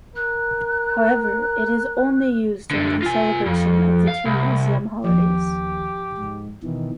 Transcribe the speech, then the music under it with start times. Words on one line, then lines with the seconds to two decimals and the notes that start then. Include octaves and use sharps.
However, it is only used during the celebration of the two Muslim holidays.
0.15 A#4 F#6
2.71 F#2 D3
3.02 F4 G#5
3.46 F2
4.08 F5
4.25 C2
5.04 D#2 F3 G4
6.18 G#2
6.63 B2 D#3 E3